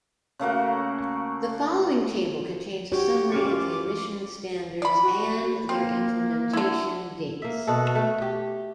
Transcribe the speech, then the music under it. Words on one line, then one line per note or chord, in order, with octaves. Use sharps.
The following table contains a summary of the emission standards and their implementation dates.
C#3 A3 A#3 F#4
F#4 G4 C#5
F#2 C#4 F4 G4 C#6 D6
D5 B5
F#4
A#3 C4
D3 E4
A#3 E5
B2 F#4 A4
A3
G4